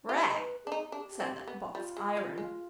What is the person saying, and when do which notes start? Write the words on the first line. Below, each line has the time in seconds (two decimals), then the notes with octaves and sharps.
"Rag!" said the box-iron.
0.09 F4 G4
0.30 D#4
0.37 B4
0.65 D4 G#4
0.72 D#4
0.92 D4 G4
1.00 G#4
1.07 G4
1.20 C4
1.47 B3
1.75 G3 F4
1.97 G#3
2.17 G3
2.38 G#3